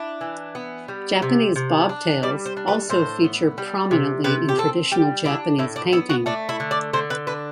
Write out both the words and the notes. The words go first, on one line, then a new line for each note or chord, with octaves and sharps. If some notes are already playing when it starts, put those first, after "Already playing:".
Japanese Bobtails also feature prominently in traditional Japanese painting.
Already playing: D4 E4
E3
B3
G3
C3
C3
D4
G3 D5
C5
D4
B4
A2 C5
B3
G3
C3
C3 B4
G4
C4 A4
G3 G4
D4 E4
A2 E4
D4
B3 E4
F#4
A3 D4
E4
D3
D5
D3 C5
B4
D4 B4